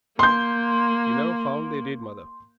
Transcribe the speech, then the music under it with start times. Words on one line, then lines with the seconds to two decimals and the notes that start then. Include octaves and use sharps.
"You never found they did, mother."
0.19 A#3 C6 G6